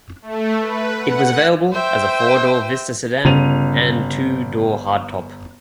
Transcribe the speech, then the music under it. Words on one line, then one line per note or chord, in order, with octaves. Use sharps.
It was available as a four-door Vista sedan and two-door hardtop.
A3
B4
F#5
C5 E5 G5
G1 C#3 D#7 F7